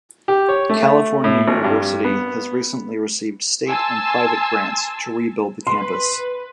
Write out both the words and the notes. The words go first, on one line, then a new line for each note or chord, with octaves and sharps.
California University has recently received state and private grants to rebuild the campus.
G4
C#5
A3
A2
G#1
G2
B3
G#5 A5 C6 E6
B4 C6